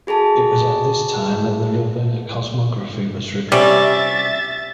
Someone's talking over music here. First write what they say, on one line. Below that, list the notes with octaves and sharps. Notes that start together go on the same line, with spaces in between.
It was at this time that the Ravenna Cosmography was written.
F#4 G#4 A4 A5
C3 G3 C#4 E5 A6